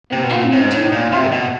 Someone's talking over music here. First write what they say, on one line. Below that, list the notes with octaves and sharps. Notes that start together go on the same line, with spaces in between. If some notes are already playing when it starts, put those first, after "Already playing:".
"An enemy to the Republic!"
C3
B2
A#2
A2
G#2
A2
A#2
C3
B2